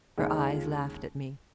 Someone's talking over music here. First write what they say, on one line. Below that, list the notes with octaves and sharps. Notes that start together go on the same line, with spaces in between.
Her eyes laughed at me.
D#2 C#3 G#3 C#4 D#4
D#4
F4